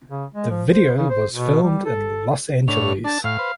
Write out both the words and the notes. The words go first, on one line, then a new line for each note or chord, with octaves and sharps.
The video was filmed In Los Angeles.
C#3
G#3
F3
C5
C#3
C5
B2
G3
A4
A2 D4 C#5 F7
D4 A5
A2 F5 F6
B4 C5